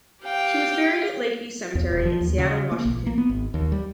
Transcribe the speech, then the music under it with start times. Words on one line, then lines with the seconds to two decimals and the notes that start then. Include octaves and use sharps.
She was buried at Lake View Cemetery in Seattle, Washington.
0.24 G4 F5 G5
1.75 E2
1.91 D#1
2.05 F3
2.21 D#2
2.38 C#3
2.71 A#3
2.85 A#1
3.07 A#3
3.18 B3
3.30 G#1
3.54 D#2
3.72 G3